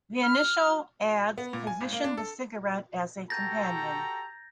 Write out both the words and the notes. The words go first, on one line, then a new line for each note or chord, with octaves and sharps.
The initial ads positioned the cigarette as a companion.
F6
B3
A#2
G#5
G#1
A#3
D4
A4
F#4 G4 A4 A#5 G6 A6 A#6